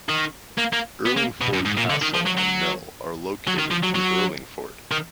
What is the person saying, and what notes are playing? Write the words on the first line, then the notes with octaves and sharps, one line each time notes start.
Urlingford Castle and mill are located in Urlingford.
D#3
A#3
A#3
B3
A#3
B2
F#2
G#2
A#2
D3
D#3
F3
F#3
F#3
F#3
D#3
F3
F#3
F#3
D#3